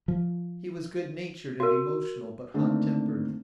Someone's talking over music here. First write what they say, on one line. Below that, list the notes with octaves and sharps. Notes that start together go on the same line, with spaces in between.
He was good-natured and emotional, but hot-tempered.
F3
F#4 A#4
D3 D#3 A3 A#3 C4 D4